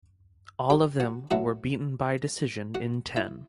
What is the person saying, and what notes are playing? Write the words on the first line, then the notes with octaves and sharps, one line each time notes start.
All of them were beaten by decision in ten.
G4 G5
F#4 F#5
B2 F#3 A3 E4 F#4 F#5
F#4 F#5
E4 E5